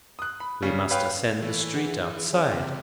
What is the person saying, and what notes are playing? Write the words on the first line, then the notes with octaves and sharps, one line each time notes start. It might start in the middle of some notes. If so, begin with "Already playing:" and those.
We must ascend the street outside.
D#6 F#6
B5
C#3 G3
B4 C#5 F5 G5
E3 A3
G#4 F#5
C#4
C#2 C3